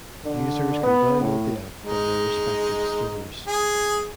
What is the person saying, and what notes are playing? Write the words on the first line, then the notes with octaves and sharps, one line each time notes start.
Users can download the App from their respective stores.
D3
B3
A2
G#3 D#4
G#4